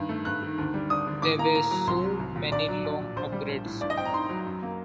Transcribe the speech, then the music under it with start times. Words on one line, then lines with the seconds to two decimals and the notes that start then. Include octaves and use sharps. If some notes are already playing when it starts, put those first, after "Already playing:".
There were so many long upgrades.
Already playing: G2 D#3
0.09 A3
0.25 G2 F#6
0.43 D#3
0.58 D2
0.74 G3
0.90 D4 D#6
1.07 D3
1.22 A2 D6
1.39 A#3 A#5
1.54 A2 A#5
1.71 F#3 A#5
1.87 C2 C6
2.04 F#3
2.20 C2
2.36 A#2
2.52 A#1 D5
2.68 F#3
2.85 A#1
3.00 A#2
3.16 A#1 C5
3.32 G3
3.49 A#1
3.65 A2
3.81 G2 D5
3.90 D#5
3.97 C4 G5
4.05 A#5
4.13 D#4 C6
4.29 F#3
4.45 F#2
4.63 A#3